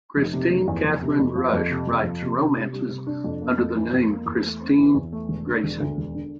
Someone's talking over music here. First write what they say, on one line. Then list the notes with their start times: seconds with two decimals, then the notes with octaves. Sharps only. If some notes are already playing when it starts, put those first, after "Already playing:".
Kristine Kathryn Rusch writes romances, under the name "Kristine Grayson".
0.17 F1
0.33 C3
0.50 F1
0.68 E2
0.84 F1
1.02 C3
1.19 F2
1.35 F3
1.53 F2
1.70 C3
1.87 F2
2.04 F3
2.22 C3
2.39 D4
2.55 C3
2.73 G3
2.90 C3
3.07 D4
3.24 F2
3.42 A#3
3.58 F2
3.76 E3
3.93 F2
4.10 A#3
4.26 E2
4.44 A3
4.60 C4
4.78 E3
4.94 E2
5.13 A3
5.29 E1
5.46 D3
5.64 E1
5.80 D2
5.98 E1
6.15 D3